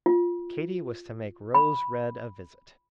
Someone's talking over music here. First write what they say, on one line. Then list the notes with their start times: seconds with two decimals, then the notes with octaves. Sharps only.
Katy was to make Rose Red a visit.
0.06 F4
1.54 B5